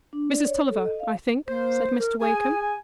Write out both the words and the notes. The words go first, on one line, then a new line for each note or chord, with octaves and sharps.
"Mrs. Tulliver, I think?" said Mr. Wakem.
D4
D5
C#5
A4
D#5
F5
A#3 C5
A#4
G#4 G#5